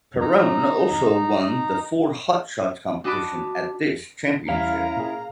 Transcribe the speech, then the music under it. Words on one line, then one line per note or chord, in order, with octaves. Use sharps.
Perron also won the Ford Hot Shots competition at this championship.
D#4 A#5
D4 F#4 D#5 A5 B5 D6
E2 G3 C#4 E4 F5 A#5 F6
A#2 G#4